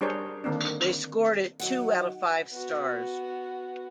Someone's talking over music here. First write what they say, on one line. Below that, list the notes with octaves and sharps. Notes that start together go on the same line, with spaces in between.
They scored it two out of five stars.
G3 D4 G#4 A#4 C5 C#5
D3 D#3 A#3 C4 D4
D#3 F#3 F#5
B3 F#4